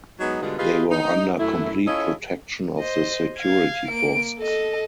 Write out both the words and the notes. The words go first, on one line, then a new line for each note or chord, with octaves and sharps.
They were under complete protection of the security forces.
F#3 G#3 B3 D#4
B2 D3 G3 G#3 B3 F4
F4 G4 G#4 B4 D#5 F5
D#4
F#2 A3 E4
C#4 E4 F4 A4 C#5 D#5
C5 D#5
F5 G#6
A#3 D7
A4 D#5